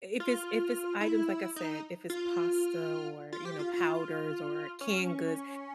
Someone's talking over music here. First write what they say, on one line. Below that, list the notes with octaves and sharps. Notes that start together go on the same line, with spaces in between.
if it's if it's items like, I said, if it's pasta or, you know, powders, or canned goods,
F4
E4
D#4
F4
F4
G4
F4
F4
C#4